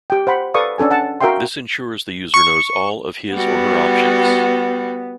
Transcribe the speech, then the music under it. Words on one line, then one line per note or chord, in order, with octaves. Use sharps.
This ensures the user knows all of his or her options.
G4 G5
C5 F#5 B5
A4 B4 D5 F5 C#6 D#6
C#4 D4 A4 G#5
F#5 A5
F#4 A#4 E5 F5 G5 C6
C#6
G3 B3 F#4